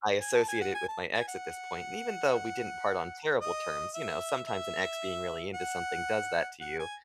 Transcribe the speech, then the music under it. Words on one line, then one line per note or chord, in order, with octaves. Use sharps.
I associate it with my ex at this point. And even though we didn't part on terrible terms, you know, sometimes an ex being really into something does that to you.
G#5
A5
G#5
F#5
G#5
A5
G#5
F#5
D#5
E5
E5
F#5
F#5
G#5